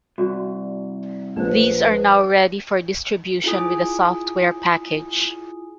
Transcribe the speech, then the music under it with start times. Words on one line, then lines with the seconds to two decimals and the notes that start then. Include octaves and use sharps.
These are now ready for distribution with the software package.
0.18 C2 F#4
1.36 A#1 D4 B4 C5
3.44 E4 F4 G#4 G#5 D#6